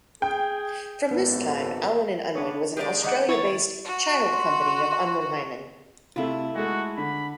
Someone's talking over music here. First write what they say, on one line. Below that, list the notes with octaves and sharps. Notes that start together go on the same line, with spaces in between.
From this time Allen and Unwin was an Australia-based, child company of Unwin Hyman.
G#4 G5
G#1 F#2 B3 A4
B3 D4 C#5
G#3 G4 A#4 D5
D#3 D5 D#5 F#5
E4 C#5 A6
F#4
C6
C3 A3 E4 F4
G#3 A3 F#4
D3 B5